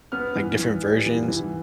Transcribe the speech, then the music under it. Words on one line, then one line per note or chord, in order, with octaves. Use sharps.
like, different versions.
B3 F6
E3
E3
G3
E3
E3